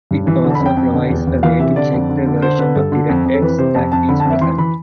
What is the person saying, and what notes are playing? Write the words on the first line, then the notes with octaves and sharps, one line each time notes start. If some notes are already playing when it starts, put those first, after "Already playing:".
It also provides a way to check the version of DirectX that is present.
G2
E3
D3
A5
B5
F2
G5
F2
D3
E2
E2
E3 F5
C3 E5
D3 D5
F2
D3
D3
D3 C5
D3 B4
G2 A4
D3
F2
F2
A4
E3 B4
C3 C5
F2 A5
F2 A5
D3 B5
A5
F2 E5
E3 C6
E3 B5